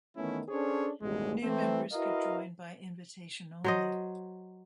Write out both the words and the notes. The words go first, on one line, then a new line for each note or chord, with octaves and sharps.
New members could join by invitation only.
D#3 E3 A3 B3 C#4 E4
C#4 D4 G#4 A4 C5 C#5
A1 D#2 B2 G3 G#3
E3 A3 C4
E4 F#4 A#4 B4 D#5 F5
F#3 C5 D#5